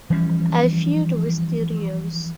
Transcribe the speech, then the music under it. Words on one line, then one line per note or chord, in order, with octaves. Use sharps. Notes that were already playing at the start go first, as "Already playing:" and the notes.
I feud with studios.
E3 F3 G3 C#4